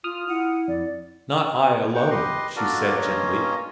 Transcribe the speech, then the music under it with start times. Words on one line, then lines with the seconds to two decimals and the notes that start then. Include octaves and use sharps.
"Not I alone," she said gently.
0.04 F4 D#6 F6
0.29 E4 F#5
0.68 F2 D5
1.94 D#4 F#5 G5
2.10 G4 B4 D#5 C6
2.56 D4 F4 F#4 A4 A#4 D5
2.96 G2 A#3 C#4 F4 C#5 D#5